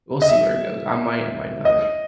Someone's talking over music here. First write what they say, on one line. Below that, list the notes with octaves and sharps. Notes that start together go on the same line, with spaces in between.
we'll see where it goes. I might, I might not
D#5
E5
D#5